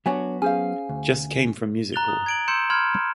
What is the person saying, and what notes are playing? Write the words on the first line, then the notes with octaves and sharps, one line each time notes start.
Just came from Music Hall.
F#3 B3 D4 F#4 C#5 G#5
C#4 G#4 C5 F5 G#5
D2
A#5 F#6 A6 F7 G7
D#6
G#6 D7 F#7
C6 E6 G6 C#7 E7
B5 C6 F6 G#6